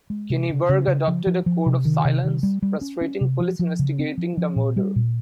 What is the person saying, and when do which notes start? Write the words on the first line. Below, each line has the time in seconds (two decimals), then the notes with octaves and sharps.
Kinniburgh adopted a code of silence, frustrating police investigating the murder.
0.10 G#3
0.30 C3
0.50 C#3
0.69 C#3
0.87 C#3
1.08 F3
1.27 F3
1.46 F3
1.66 C3
1.85 D#3
2.05 C3
2.24 D#3
2.43 G3
2.62 G3
2.81 C#4
3.01 C#4
3.21 C3
3.40 F3
3.59 F3
3.79 C#3
3.99 C4
4.18 F3
4.37 F3
4.56 A#2
4.76 G3
4.96 A#2